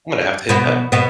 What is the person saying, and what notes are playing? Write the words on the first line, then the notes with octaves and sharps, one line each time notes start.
I'm gonna have to hit that up.
B2 B3
B2 B3